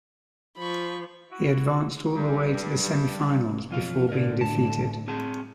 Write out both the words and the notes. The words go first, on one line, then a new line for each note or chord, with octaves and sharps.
He advanced all the way to the semifinals before being defeated.
F3 B5 C#6
E4 F#4
G2 G3
F2 B2 F#3 F4 F5
A2 D3 A#4 D5
A5
C4 G#4 A5